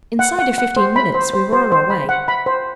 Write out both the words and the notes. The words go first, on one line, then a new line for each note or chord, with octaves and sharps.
Inside of fifteen minutes we were on our way.
F#5
F#5
F#5
C5
B5
C5
C5
C5
C5
B5
F#5
B5
C5